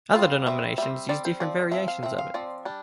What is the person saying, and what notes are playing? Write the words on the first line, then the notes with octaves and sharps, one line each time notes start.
Other denominations used different variations of it.
G3 C4 F4
G3 C4 E5
G3 C4 E5
G3 C4 D5
C5
F3 C4 D5
F3 C4 E5
F5
F3 C4 E5
F5
F3 C4 D5
G3 D4